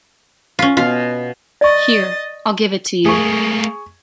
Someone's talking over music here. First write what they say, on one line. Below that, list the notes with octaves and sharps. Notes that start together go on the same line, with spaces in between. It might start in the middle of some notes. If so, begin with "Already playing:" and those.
Here, I’ll give it to you.
C#4 F4
B2 F4 F5
D5 D#5 C#6 A6
A3 A#3 G#4 C#6